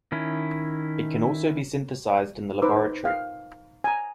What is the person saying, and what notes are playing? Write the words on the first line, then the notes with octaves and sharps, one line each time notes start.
It can also be synthesized in the laboratory.
D#3 C#4 E4
D#4 B4 C5 A#5 D6 E6
F5 G5
G#5 A#5